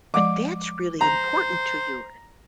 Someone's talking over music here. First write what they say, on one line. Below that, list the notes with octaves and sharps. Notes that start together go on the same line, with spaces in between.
but that's really important to you.
F3 G#3 D5 D6
C5 A#5